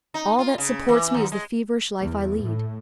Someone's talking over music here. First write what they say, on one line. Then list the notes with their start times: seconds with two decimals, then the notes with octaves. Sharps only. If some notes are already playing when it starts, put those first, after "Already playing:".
All that supports me is the feverish life I lead.
0.14 D#4
0.39 F4
0.58 C#3
0.89 E3
1.14 D#2
1.32 G#3
2.01 E2
2.43 A2